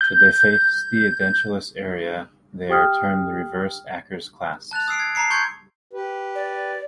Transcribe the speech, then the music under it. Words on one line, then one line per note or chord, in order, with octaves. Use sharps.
Should they face the edentulous area, they are termed reverse Akers' clasps.
G6
G4 G5 D#6 F6
A5 F#6 A6 F7
D#6 E6 C7 D7
G#6
A5 A#5 C7 C#7
C6 C#6 G6 G#6 C7 C#7
G4 B4
D5